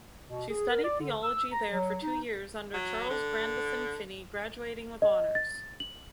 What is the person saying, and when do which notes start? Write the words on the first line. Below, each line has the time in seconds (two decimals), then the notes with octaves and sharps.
She studied theology there for two years under Charles Grandison Finney graduating with honours.
0.29 B2
0.50 G#4
0.69 A#4
0.84 D5
0.99 D3
1.22 E6
1.52 A#5
1.73 F#3
2.03 D#4
2.74 F#3
3.10 D3
5.02 D#5
5.35 A6
5.80 F#7